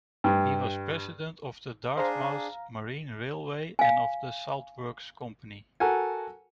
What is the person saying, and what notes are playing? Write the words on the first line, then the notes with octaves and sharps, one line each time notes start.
He was president of the Dartmouth Marine Railway and of the Salt Works Company.
G2
D4 G#4 C5 F5 A#5
F5 G#5
F#4 A4 A#4 F#5 G#5